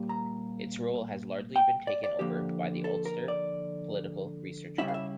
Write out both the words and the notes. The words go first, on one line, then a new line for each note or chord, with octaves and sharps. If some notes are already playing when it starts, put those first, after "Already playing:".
Its role has largely been taken over by the Ulster Political Research Group.
Already playing: A#2 G3 A#3
A#5
G5
D5
D5
D3 F3 A#3 G4
A4
A#4
D5
C#3 G3 C#4 E4 E5
F5
E5